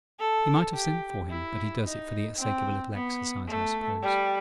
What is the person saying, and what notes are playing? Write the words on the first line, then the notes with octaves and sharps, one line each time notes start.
He might have sent for him; but he does it for the sake of a little exercise, I suppose.
A4
G4
E4
D#4
C4
B3
A3
G3